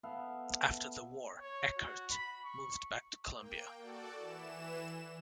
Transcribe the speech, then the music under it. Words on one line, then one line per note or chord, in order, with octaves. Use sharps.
After the war Eckert moved back to Columbia.
B3 A4 E5 F5
C#5
F#4
B5
C#6
A#3 G5
F#4 A4 D5
E3 E7